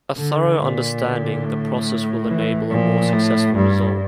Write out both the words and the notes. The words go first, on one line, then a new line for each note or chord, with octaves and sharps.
A thorough understanding the process will enable a more successful result.
D3
A#2
D3
A2
E3
A#2 F3
A2
G2 G3